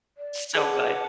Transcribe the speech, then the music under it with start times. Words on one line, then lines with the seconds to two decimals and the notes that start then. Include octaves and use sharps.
So good.
0.18 D5
0.55 G#4 B4 F#5 A5 D6